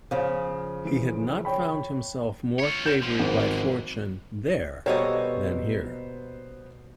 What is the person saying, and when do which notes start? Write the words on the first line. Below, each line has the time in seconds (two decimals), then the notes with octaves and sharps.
He had not found himself more favoured by fortune there than here.
0.11 C#3 F3
0.85 E3 D7
1.45 C#5 G5 B5
2.59 F4 C#5
2.86 G6 E7
3.02 G#2 F3
3.20 G#1
4.86 B2 G3 A#3 B3 A4 C5 C#5 D#5